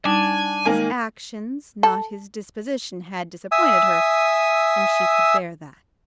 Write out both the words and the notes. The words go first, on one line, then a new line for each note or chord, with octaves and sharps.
His actions, not his disposition, had disappointed her, and she could bear that.
G3 D4 D#4 G#5
D#3 G#3 A#3 G#5
A4
E5 G#5 D#6 E6